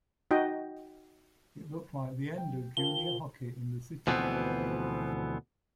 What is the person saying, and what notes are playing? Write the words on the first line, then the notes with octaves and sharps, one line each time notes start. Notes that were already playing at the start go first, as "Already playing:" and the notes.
It looked like the end of Junior hockey in the city.
D#4 F#4 D#5 G5
G5
F3 A#4 G7
D2 B2 E3 F3 B3 C4